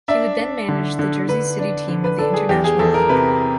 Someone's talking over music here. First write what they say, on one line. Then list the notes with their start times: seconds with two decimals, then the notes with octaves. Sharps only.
He would then manage the Jersey City team of the International League.
0.08 D4 E5
0.38 D4
0.69 D3
0.99 D3
1.28 D3 B4
1.59 D4
1.88 D3
2.04 B4
2.19 D4 A4
2.34 G#4
2.49 E2 G4
2.64 G#4
2.79 E2 A4
2.94 A#4
3.09 C3 B4